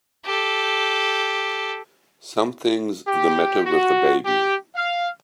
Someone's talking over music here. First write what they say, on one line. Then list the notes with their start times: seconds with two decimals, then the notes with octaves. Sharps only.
Something's the matter with the baby!
0.25 G4 A4
3.08 G4
3.66 F#4
4.25 G4
4.75 F5